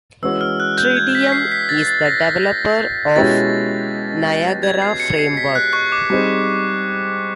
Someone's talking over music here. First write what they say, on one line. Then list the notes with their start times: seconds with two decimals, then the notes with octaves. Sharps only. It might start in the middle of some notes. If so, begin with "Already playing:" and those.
Tridium is the developer of Niagara Framework.
0.22 E3 G#3 C#4 F#4 E6
0.41 F6
0.60 F#6
0.78 G6
0.97 G#6
1.15 B6
1.32 C7
1.52 B6
1.69 A6
1.87 A6
2.06 A#6
2.25 B6
2.43 A#6
3.16 B2 G#3 C#4 E4 G4 A6
4.63 G#6
4.82 C7
5.00 C#7
5.19 C7
5.37 B6
5.55 F#6
5.73 C#6
5.92 D6
6.10 G3 C4 D#4 G#4 C5